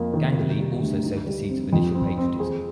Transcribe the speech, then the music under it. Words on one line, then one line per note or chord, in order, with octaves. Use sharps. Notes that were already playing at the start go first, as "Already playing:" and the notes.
Ganguly also sowed the seeds of initial patriotism.
Already playing: F2 A#3
D#3
C3
G3
D2
D#4
G3
C4
F2
C4
C4
G#4